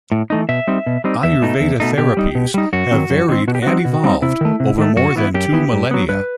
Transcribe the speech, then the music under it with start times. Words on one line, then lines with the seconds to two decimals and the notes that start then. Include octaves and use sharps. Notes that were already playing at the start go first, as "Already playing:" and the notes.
Ayurveda therapies have varied and evolved over more than two millennia.
0.12 A2
0.30 E3 A3 D#4
0.49 B2 E5
0.67 G3 C4 D#4
0.86 B2
1.04 G3 C4 D#4
1.23 E2 E5
1.42 B2 A3 D#4
1.60 E2
1.80 B2 A3 D#4
1.98 B2 G4
2.17 G3 D#4
2.35 B2
2.54 G3 D#4
2.73 F#2 F#4
2.91 D#3 F#3 C4
3.10 F#2
3.29 D#3 F#3 C4
3.48 B2 F#4
3.55 G4
3.62 G3 C4 D#4 F#4
3.85 B2
4.04 G3 C4 D#4
4.22 C3 E4
4.41 D#3 A3
4.60 C3
4.78 D#3 A3
4.96 F#2 F#4
5.16 E3 B3 E4
5.34 F#2 G4
5.52 E3 B3 E4
5.72 G2
5.91 F#3 B3
6.09 G2 B4